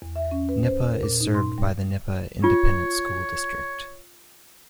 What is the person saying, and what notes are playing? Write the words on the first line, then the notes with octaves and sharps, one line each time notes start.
Knippa is served by the Knippa Independent School District.
E2
E5
C#4
B4
C5
A#4
A#2
D#4
C6
G3
F4 C#5